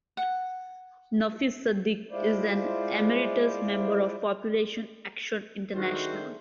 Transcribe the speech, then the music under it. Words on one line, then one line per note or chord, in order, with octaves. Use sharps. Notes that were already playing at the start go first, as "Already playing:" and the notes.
Nafis Sadik is an Emeritus Member of Population Action International.
F#5
G#3 E4 F4 C5 D5
D#3 A3 D4 F#4 G#4 C5